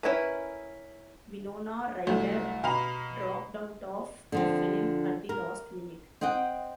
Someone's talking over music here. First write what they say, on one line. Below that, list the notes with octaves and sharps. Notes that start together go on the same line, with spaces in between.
Winona Ryder dropped out of the film at the last minute.
C#4 E4 A#4 B4
C2 F#3 A3
B2 F5 A#5 B5 F7
D3 F3 C4
A#4
C4 D#5 F#5 G5